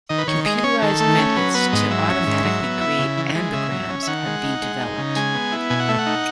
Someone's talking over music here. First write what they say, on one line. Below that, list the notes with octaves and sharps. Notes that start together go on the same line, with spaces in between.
Computerized methods to automatically create ambigrams have been developed.
D#3 D#5
B4
D#3 C#5
G#3 D#5
D#5
C#4 C#5
D#3 A4
A3
C#4
F#3 B4
B3 B4
G#2 D#5
F#3 E5
C#4
G#2
F#3
B3
E4
C#3
E3
G#3
C#3 E5
F#3
C#4
E5
D#3 F#5
G#3
D#4
G#3
D#4
C#3
G#3 G#5
B3
E4
B2 G#5
F#5
A3 E5
F#5
D#4